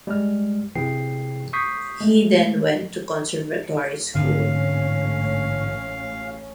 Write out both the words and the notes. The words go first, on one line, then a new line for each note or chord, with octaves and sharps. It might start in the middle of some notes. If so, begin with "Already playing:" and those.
He then went to conservatoire School.
G3 G#3 F6
C3 E3 G#4 G5 C7
C#6 D#6 G6 B6 C7
G#3 A3
A1 G#2 D3 C4 C#4 F5